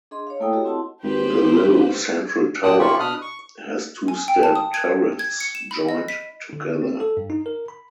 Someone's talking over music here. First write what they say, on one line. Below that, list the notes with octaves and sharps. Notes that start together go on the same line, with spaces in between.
The low central tower has two stair turrets joined together.
D4 G#4 D#5 C6
C#5 F5
A3 A#3 E4 A4 G5 D#6
F#4 G4 A4 C#5 D#5
C4 E4 F#5 A5 C6
G#1 G4 B4 C5
A#2 D5 G5 A5 D#6 F#6
C#3 A#3 F4 G4 B5 C#6
B2 D4 B5 D#6 F6 F#6
C#6
G#5
G5
A5
D#6
G#6
G#6
C#7
E7
B5
D#5
B6
D3
C4
A4
G2
D#4
A#4
B5